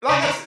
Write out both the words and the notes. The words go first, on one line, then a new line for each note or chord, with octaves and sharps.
like I s
C#3
D#3